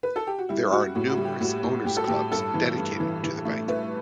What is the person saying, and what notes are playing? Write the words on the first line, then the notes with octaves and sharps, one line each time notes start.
There are numerous owners clubs dedicated to the bike.
B4
A4
G4
F#4
G3 E4
G3 F#4
A2 F#4
F#4
G3
G4
A2 F#4
A2
A2 G4
A4
A2 G4
G2 A4
E3
G2
E3
E3
A3
A3 B4